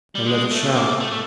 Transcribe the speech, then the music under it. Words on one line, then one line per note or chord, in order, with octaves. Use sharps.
"I never shall."
G3
G#3
A3
A#3
A3
A3